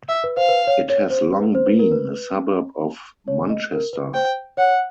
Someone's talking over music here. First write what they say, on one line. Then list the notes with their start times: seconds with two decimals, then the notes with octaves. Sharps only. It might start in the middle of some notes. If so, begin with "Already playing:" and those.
It has long been a suburb of Manchester.
0.09 E5
0.24 B4
0.37 C5 F5
0.49 B4
0.67 C#5
0.90 C#5
1.10 C5
1.33 B4
1.55 C5
1.66 B4
1.79 A#4
1.92 B4
3.28 C#5
3.50 D#5
3.72 A#4
3.93 B4
4.14 C5 G5
4.57 C#5 F#5